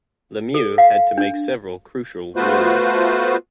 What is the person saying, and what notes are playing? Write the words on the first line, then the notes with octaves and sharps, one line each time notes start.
Lemieux had to make several crucial rulings.
A4
F5
D4
A3 B3 F4 F#4 B4 C5